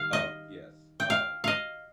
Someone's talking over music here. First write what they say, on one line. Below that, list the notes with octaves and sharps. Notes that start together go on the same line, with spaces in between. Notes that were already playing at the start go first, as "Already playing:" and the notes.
Uh, yes, um,
Already playing: D#3 G3 F5
D#5
G5
F5
D#5 F5